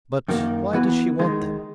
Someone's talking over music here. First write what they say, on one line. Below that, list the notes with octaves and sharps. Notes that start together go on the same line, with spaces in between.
"But why does she want them?"
F#2 D#3 A#3
E3 B3 F#4 B4
D#3 G#3 D#4